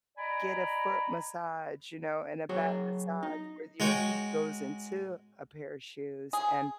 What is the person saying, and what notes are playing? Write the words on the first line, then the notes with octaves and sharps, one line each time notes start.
get a foot massage, you know, and a back massage where your feet goes into a pair of shoes and,
D5 D#5 G#5 A#5 B5
F#3 F#4 G#4 C#5
D#4
G#3 F#4 C#5 G5
G#4